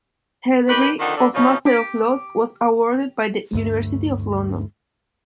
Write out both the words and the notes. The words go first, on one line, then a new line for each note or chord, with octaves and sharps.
Her degree of Master of Laws was awarded by the University of London.
D#3 G4 B4
F2 D3 D#3 D#4
D3
B2 F3 C#4 D#4
D4 G4
D2 G2 A3